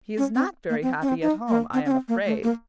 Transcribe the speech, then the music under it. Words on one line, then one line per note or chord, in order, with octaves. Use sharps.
He is not very happy at home, I am afraid.
C#4
C4
A#3
C4
C#4
C4
D#4
A#3
C4
C#4
C4
A#3
A3
A#3